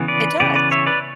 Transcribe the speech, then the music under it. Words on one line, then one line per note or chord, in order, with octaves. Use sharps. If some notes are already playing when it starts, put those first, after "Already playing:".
It does.
Already playing: C#3 E3 B3
B4 D5
C#3 E3 B3 B4 D5
B4 D5
C#5 E5
B4 D5